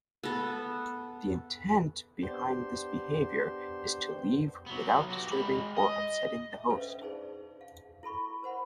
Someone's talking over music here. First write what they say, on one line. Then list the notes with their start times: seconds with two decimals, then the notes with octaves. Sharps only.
The intent behind this behaviour is to leave without disturbing or upsetting the host.
0.23 B3 A4
2.23 B3 D4 G4 C5 C6
4.66 F#3 B3
5.10 F#4 G4
5.31 G#3 B5
5.77 D#5
6.53 E5
6.70 C#4 D4 A4 B4 C5 F5
7.02 D#4 G#4 C5 D5
7.61 F5
8.03 E4 A4 B5 C#6
8.43 A#4 C5 F#5 B5